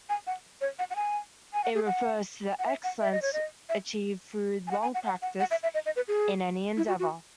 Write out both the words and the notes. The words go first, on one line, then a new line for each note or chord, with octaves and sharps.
It refers to excellence achieved through long practice in any endeavor.
G#5
F#5
C#5
F#5
F#5
G#5
G#5
F#5
G#4
F#5
F#5
E5
F#5
E5
D#5
C#5
D#5
E5
G#5
F#5
G#5
F#5
F#5
F#5
F#5
E5
E5
D#5
D#5
B4
G#4
E4
F#4
F#4